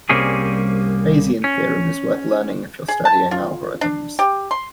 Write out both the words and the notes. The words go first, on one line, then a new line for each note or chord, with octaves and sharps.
Bayesian theorem is worth learning if you're studying algorithms.
C2 G3 A#3 C4 C#4 G#4
C#4
G#4
A5
F4
D4
G4
C6